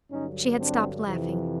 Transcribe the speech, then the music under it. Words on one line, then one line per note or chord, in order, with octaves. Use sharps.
She had stopped laughing.
G2 D3 F#3 C#4 D#4
C4 D4
F2 C3 E3